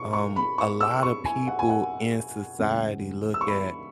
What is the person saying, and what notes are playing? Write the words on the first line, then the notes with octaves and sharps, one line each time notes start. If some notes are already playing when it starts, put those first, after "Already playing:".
um, a lotta people in society look at
Already playing: B2 C#6
C#6
B5
C#6
E6
C#6
G#5
F#5
G#5
F#5
E2 C#3 G#3
E6
C#6
B5